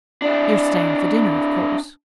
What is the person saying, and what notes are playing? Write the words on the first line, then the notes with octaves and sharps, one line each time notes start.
"You're staying for dinner, of course?"
D4 E4